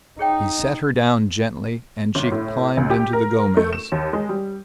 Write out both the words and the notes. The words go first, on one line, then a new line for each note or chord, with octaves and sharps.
He set her down gently, and she climbed into the Gomez.
D#4 G#4 C#5 G5
G1
A2
C#2
G4
A#4
A3
E7
D#2
G#3
G3